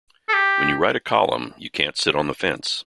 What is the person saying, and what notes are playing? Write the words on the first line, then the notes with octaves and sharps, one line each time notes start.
When you write a column, you can't sit on the fence.
A4
G4